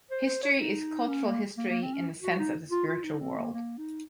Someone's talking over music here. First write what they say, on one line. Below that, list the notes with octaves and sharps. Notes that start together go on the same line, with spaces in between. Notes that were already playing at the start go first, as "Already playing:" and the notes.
History is cultural history in the sense of the spiritual world.
C5
C5
C#5
D#4
C#4
A#3
A#3
A#3
C4
C#4
F#4
D#4
F4
F4
D#4
C4
A#3
A#3
D#4